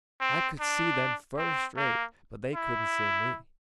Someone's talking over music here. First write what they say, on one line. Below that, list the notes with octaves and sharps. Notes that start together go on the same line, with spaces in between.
I could see them first-rate, but they couldn't see me.
C4
D4
C4
A#3
E4